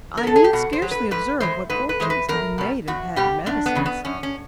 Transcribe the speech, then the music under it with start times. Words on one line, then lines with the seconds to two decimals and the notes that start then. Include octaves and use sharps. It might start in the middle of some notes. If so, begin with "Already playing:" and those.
"I need scarcely observe what fortunes have been made in patent medicines."
0.17 A#4
0.23 F#3 A4
0.36 G#4
0.44 G4
0.53 B2 F#4
0.73 C5
0.82 F#3
0.91 B4
1.11 G#2 B4
1.40 E3 G#3 C5
1.70 G#2 B4
1.89 B4
2.00 E3 G#3 C5
2.10 B4
2.28 E2 A#4
2.58 B2 G3
2.88 E2 F#4
3.16 B2 G3 G4
3.46 F#2 D4
3.66 B3
3.75 C#3 E3
3.86 B3
4.05 F#2 C#4
4.23 C#4